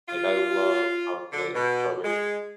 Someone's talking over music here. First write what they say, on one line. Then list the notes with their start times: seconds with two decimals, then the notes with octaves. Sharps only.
Like, I love chocolate strawberries.
0.08 F4
1.32 D3
1.55 B2
2.05 G#3